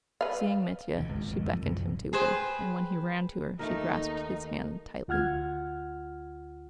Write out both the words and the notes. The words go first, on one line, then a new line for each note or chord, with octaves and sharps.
Seeing Mitya, she beckoned him to her, and when he ran to her, she grasped his hand tightly.
B4 F5
D2 B2
G#1 C#2 G2
G#1 E2 B2 D#3
F2 G#2
C2 F#2 A#2 C#3
G#4 B4 C5 G5
D#2 A3 D#4 A#4
D2 F4 F#5 F6 G#6